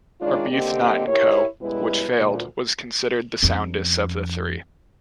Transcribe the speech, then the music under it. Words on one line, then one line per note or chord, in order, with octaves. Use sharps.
Arbuthnot and Co, which failed, was considered the soundest of the three.
D#3 G#3 D4 F4 C#5 D5
D3 A#3 C4 G4 D#5
E4 G4 A#4 C#5
F#2 B2 G3 G#3 E4 B4
D2 A#2
F2 C#4